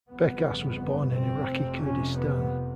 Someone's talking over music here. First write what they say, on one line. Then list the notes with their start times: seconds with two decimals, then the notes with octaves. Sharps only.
Bekas was born in Iraqi Kurdistan.
0.10 G1 F2 C#3 B3
1.13 C4
1.48 F1 F2 C3
1.82 C#4
2.16 B3